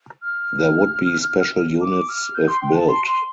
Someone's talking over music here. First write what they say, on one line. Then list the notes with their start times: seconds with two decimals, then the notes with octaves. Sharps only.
There would be special units if built.
0.22 F6
1.81 D6
2.09 F6
2.35 G6
2.48 C6
2.62 G5
2.75 A5
2.88 C6
3.06 C6